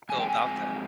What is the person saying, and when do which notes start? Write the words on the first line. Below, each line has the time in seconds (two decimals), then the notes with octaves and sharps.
go about that.
0.09 G#2 F3 G#3 C4 G#5
0.20 G5
0.29 G#5